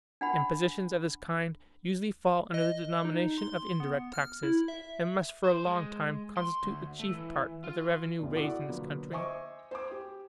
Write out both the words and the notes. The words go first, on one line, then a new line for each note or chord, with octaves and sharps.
Impositions of this kind usually fall under the denomination of indirect taxes, and must for a long time constitute the chief part of the revenue raised in this country.
D4 F#5 B5
D#5
D#4
C6
B3
F6
E4
E5
C5
G#3
C6
D2
A3
E3
F4
A1 B2 D4
E4 F#4 A4 D5 F#5 D6
B2 D3 F3 F#3 A#3 B3
C5 D#5 E5 G#5 C#6 D6
C5 G#5 D6
G4